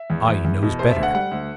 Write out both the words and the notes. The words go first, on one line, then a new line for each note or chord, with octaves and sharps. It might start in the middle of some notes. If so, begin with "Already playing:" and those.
I knows better.
Already playing: E5
E2
E2
E2
B2
C3 C5
E5
D2
F#5
G3 F#5
D2